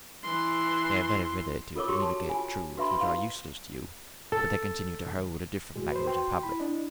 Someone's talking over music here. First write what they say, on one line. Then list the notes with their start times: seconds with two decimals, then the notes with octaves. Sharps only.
They are very ready to communicate truths which are useless to you, but they continue to hold a different language in public.
0.23 E3 C6
1.75 F4 A4 A#4 C#5 D6
1.88 F#4 G4 C6
2.02 A5
2.28 F4 G#5
2.77 F#4 B4 E5 B5 C6
2.99 E4 F5 C6
4.32 A4
5.76 E2 A2 G#3 F#4
5.92 B4 C5
6.07 G5 C6
6.43 E4 B5
6.60 D4 D#5